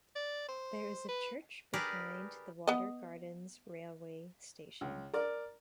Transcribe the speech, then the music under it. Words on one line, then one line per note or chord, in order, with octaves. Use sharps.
There is a church behind the Watergardens railway station.
D5
C5
B4
G4 G#4 A#4 B4 D5
B3 D#5
C#2
A#4 D5